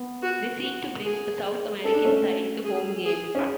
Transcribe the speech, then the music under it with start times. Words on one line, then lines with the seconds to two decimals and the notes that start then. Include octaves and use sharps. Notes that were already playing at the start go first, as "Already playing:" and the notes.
They seek to bring a South American style to home games.
Already playing: B3
0.22 F#4
0.63 F#4
1.04 G#4
1.84 C#4 A4
1.94 D4
2.05 A3 C#4
2.64 G#4
3.05 G#4
3.35 C#4